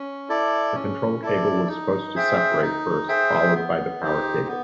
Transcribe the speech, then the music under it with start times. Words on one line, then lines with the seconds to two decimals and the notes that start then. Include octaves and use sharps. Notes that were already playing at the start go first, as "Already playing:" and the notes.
The control cable was supposed to separate first, followed by the power cable.
Already playing: C#4
0.29 E4 A4 D5
0.75 C#4
1.22 E4 A4 D5
1.69 D#4
2.15 G#4 C5 E5 G5
2.62 D#4
3.08 G#4 C5 E5 G5
3.55 B3
4.01 D#4 G4 C5
4.48 B3